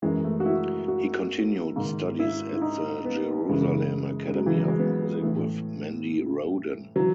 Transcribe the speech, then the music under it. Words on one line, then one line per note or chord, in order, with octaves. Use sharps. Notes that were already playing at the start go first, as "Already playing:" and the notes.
He continued studies at the Jerusalem Academy of Music with Mendi Rodan.
F#2 E3 G#3
A3
F#4
E4
F#4
G#2 D#3
E4
E4
D#4
B3
F#2 C#3 E3 G#3
G#3
F#3
E3
F#3
G#3
B3
A2 E3 A3
E3 F#3